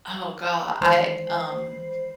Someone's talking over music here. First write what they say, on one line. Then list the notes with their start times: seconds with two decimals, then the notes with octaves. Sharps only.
Oh, go I, um
0.81 D#3 E3 G#3 C5 B5 C7